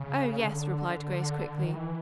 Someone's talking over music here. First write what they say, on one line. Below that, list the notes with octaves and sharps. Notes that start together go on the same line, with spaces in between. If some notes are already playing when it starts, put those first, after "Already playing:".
"Oh, yes," replied Grace quickly.
Already playing: C#3
D3
D#3
E3